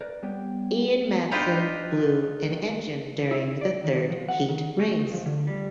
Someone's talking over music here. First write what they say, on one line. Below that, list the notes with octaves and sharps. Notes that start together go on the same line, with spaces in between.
Ian Madsen blew an engine during the third heat race.
A#4 B4 D5
G3 B3 G4 C#5 G5
D4 D#4 F4 G4 B4 C5
E4
D5
D#3
F3
F#5
D#3
A3
C#2
F3
D3
G3